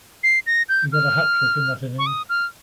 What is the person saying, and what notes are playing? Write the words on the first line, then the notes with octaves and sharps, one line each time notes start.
He got a hatrick in that innings.
C7
A#6
G6
F6
C#6
D#6
F6